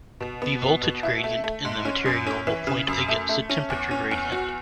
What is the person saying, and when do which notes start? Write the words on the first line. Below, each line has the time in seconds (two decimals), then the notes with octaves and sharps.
The voltage gradient in the material will point against the temperature gradient.
0.20 B2
0.42 B3
0.62 B2
0.83 B2
1.03 E4
1.24 A3
1.44 A3
1.65 G#2
1.85 C#4
2.06 F#2
2.27 C#4
2.47 E3
2.67 C#3
2.88 F#2
3.09 A3
3.29 A3
3.50 C#4
3.70 E2
3.91 C#4
4.11 E2
4.32 F#4